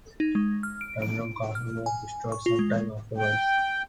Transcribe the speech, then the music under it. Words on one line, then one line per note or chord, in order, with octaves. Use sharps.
Dundrum Castle was destroyed sometime afterwards.
D#4
G#3
F6
D7
D7
F6
G#5
C#6
F4
G#3
G5